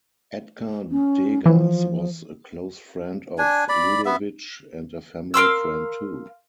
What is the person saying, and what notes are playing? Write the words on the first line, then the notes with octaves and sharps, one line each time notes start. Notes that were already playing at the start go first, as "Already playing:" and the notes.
Edgar Degas was a close friend of Ludovic and a family friend too.
C#4
E3 F3
D4 G#5
D5 B5
B3 E5
A#4 F5 C6 E6